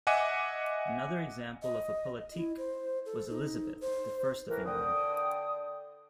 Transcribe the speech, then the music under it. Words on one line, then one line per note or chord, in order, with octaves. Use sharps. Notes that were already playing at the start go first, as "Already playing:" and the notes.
Another example of a politique was Elizabeth the First of England.
D#5 E5 F#5 G#5 D6
D#5
E4
C5
A4
D#4
C5
A2 E3 A#4
D3 G5 D#6